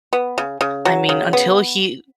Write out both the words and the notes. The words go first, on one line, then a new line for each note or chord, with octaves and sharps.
I mean, until he,
B3
C#3
C#3
F#3
C#3
B3